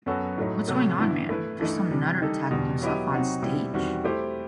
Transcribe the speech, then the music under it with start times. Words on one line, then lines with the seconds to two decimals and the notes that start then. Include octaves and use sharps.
'What's going on, man, there's some nutter attacking himself on stage.
0.06 F#2 F#3 B3 F#4 A4
0.37 A2 F#3 A3 D#4
0.68 C3 F#3 A3
0.98 G2 E3 B3 E4
1.29 A3 E4 B4
1.59 G2 E3 A3 D#4
1.91 C3 E3 G3
2.21 D#3 G3 D#4 A4
2.51 E2 B2 G3
2.82 F#3 B3 E4 G4 D#5
3.12 C3 F#3 C4 D#4 F#4
3.42 B2 G3 C4 E4
3.73 E2 D#3 G3 C4 F#4
4.04 A3 E4 G4 C5